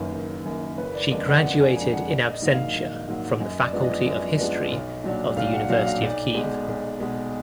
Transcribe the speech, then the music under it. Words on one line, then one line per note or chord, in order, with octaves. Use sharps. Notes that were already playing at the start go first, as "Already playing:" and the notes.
She graduated in absentia from the Faculty of History of the University of Kyiv.
Already playing: F#1 F#2 D#3 A#3 B4
F#1
F#2 D#3 A#3
F#1 B4
D5
F2 D3 G#3 D4 D#5
F#5
F#1 F#5
G#5
F2 D3 G#3 D4 G#5
F#5
A#1 D5
D#5
G#2 D#3 F#3 A#3
F5
A#1
G#2 D#3 F#3 A#3
F#2 D#5
D5
F3 G#3 B3 D4
D#5
F#2
F3 G#3 B3 D4
B1
A#2 F#3 D4
B1 F5
F#5
A#2 F#3 D4 F5
F5
B1 D5
B2 G#3
B1
B2 G#3